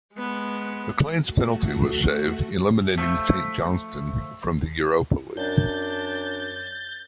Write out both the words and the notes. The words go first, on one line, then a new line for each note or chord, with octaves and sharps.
MacLean's penalty was saved, eliminating Saint Johnstone from the Europa League.
G#3 B3
A3 F#4
F3 A3
F#2 D4 G6 A6